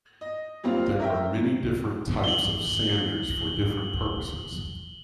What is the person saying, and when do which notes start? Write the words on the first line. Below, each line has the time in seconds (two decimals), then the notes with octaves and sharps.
There are many different types of sanders for different purposes.
0.21 D#5
0.63 F#3 G3 A#3 C4 F4
1.00 A#4 E5 G5
2.24 F#7 G7